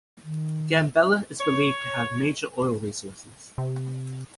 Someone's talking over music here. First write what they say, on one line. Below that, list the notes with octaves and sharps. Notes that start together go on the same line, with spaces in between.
Gambela is believed to have major oil resources.
D#3
C#5
C3